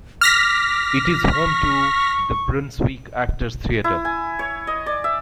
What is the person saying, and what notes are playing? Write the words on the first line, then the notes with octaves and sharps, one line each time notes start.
It is home to the Brunswick Actors' Theatre.
D6 F6 A#6 B6
C#6
E4
G#5
C#5
D#5
D5
E5